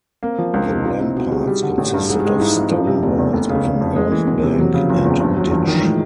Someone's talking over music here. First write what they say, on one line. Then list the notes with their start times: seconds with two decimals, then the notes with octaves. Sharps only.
The ramparts consisted of stone walls with an earth bank and ditch.
0.23 A#3 C4
0.38 F3
0.54 C#2 D4
0.69 C3 D#4
0.84 D#4 F4
1.00 C4 E4
1.16 B2 F#4
1.31 G3 G#4
1.47 G3
1.63 D3
1.78 A1
1.94 G2
2.09 G#2 G#4
2.20 G4
2.25 G#3
2.40 G#2 E4
2.51 D#4
2.56 F3
2.61 C4
2.71 F3 C#4
2.87 C3
3.03 F1 B3
3.18 E2 A#3
3.33 F1
3.49 C#3
3.65 F1
3.81 F2
3.96 G#3 A3
4.11 E3 A#3
4.27 D2 B3
4.38 A3
4.43 C3
4.58 E3 F#3
4.74 C#3 F3
4.89 F#1 F3
5.05 E2
5.20 G2
5.36 F#3
5.51 G2 E3
5.63 E3
5.67 D#3
5.73 F3
5.83 A2 G#3